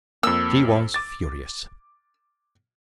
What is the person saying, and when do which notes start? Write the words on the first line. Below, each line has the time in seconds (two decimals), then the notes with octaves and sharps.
She was furious.
0.23 F2 A#3 E6
0.94 D6 A6